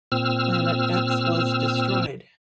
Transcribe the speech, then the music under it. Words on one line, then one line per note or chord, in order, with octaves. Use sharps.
Planet X was destroyed!
A#2 C4 E6 F6